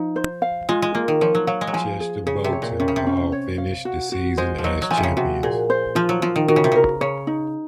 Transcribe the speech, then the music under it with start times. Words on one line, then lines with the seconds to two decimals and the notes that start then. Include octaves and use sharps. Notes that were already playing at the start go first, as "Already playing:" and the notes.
Chester Boughton Hall finished the season as champions.
Already playing: F3 D#4
0.16 C5
0.42 F5
0.69 G#3 F4
0.82 G#3
0.95 A#3 F4
1.08 D#3
1.21 F3 C#5
1.35 F#3
1.47 F#3 F5
1.61 G#3
1.67 F#3
1.73 F3 G#5
2.00 G#4
2.26 C#3 G#4
2.44 C3
2.53 C#5
2.62 A#2
2.80 C3 C#4
2.88 C#3
2.96 C3
3.06 C#4
3.32 C#5
3.58 F5
3.85 F#4
4.12 F#4
4.37 G#3 C5
4.58 F3
4.64 F#3 D#5
4.82 F#3
4.91 F3 G#5
4.97 C3
5.03 C#3
5.17 C3 F#4
5.43 A#2 G#4
5.70 C5
5.95 F3 F4
6.09 F#3
6.22 F3 F4
6.36 D#3
6.48 D#3 F#4
6.56 C#3
6.64 C3
6.72 C#3 A#4
7.01 C#3 C#5
7.27 D#4